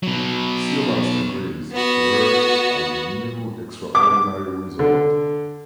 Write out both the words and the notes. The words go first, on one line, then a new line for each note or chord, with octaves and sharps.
Silas agrees, to her as the new ExtraOrdinary Wizard.
B2 F#3
B3 F#4
D6
D3